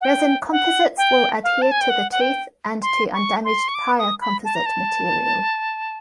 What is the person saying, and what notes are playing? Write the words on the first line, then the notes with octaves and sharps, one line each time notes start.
Resin composites will adhere to the tooth and to undamaged prior composite material.
F#5
G5
F#5
G5
F5
A5
G#5
G5
F#5
F#5
G5
C6
C#6
C6
C#6
D6
D#6
B5
A5
A#5
A5